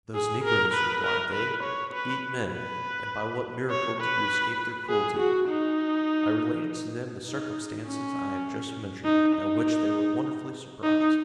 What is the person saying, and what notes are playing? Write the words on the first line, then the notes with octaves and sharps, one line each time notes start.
"Those negroes," replied they, "eat men; and by what miracle did you escape their cruelty?" I related to them the circumstances I have just mentioned, at which they were wonderfully surprised.
G#4
A#4
B4
A#4
B4
C#5
B4
B4
C#5
B4
G#4
F#4
D#4
D#4
C#4
D#4
D#4
D#4